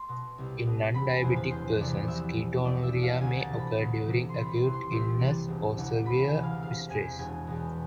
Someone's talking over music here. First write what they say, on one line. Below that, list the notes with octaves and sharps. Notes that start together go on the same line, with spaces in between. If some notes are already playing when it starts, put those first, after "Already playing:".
In non-diabetic persons, ketonuria may occur during acute illness or severe stress.
Already playing: C6
B2
C2
B2
E1 B5
G#5
E2 C3 F3 C5
B4
E1 C5
E2 C3 F3 D5
C2 E5
B2
C2 D5
E5
B2
F5
D2 G#5
A5
C3 E3
B5
D2
C3 E3
C6
C2 B5
C6
C3 E3
C6
C2
C3 E3
E1
D2 C3 E3
E1 B5
G#5
D2 C3 E3
F5
E1 F5
E2 B2 G#5
E1 G#5
E2 B2